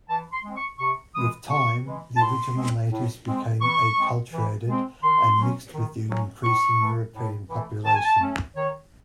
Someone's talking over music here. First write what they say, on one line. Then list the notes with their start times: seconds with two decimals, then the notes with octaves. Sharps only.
With time the original natives became acculturated and mixed with the increasing European population.
0.09 E3 A5
0.32 C6
0.44 G#3 C4
0.56 C#6
0.79 C3 C#6
1.15 E3 G#3 D#6
1.50 C3 C#6
1.86 E3 G#3
2.16 A5
2.20 A2 C6
2.55 G#3 C4
2.91 A2
3.26 G#3 C4
3.61 E3 C#6
3.97 G#3 C4
4.32 E3
4.68 G#3 C4
5.03 D#3 C6
5.38 F#3 C#4
5.74 D#3
6.09 F#3 C#4
6.44 A2 C#6
6.79 E3 A3
7.15 A2
7.49 E3
7.54 A3
7.85 D#3 A5
7.94 G#5
8.05 A5
8.21 A3 C#4
8.55 D#3 C#5